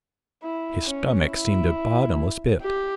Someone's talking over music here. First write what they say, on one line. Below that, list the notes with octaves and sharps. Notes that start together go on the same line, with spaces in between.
His stomach seemed a bottomless pit.
E4
C#4
E4
G4